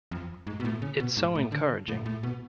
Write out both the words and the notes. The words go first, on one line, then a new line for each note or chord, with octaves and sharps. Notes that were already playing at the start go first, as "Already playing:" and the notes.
It’s so encouraging.
F2
G#2
B2
A2
C#3
B2
G#2
A2
D3
A2
A2
B2